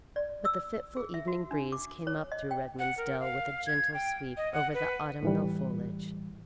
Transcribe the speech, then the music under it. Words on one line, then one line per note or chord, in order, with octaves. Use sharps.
But the fitful evening breeze came up through Redman's Dell, with a gentle sweep over the autumnal foliage.
D5
E6
G#4
E5
F#4
D4
D6
C#5
D#5
G5
F#5
A#4
F5
G#6
G5
D#5
F#5
B4
A2 E3 G3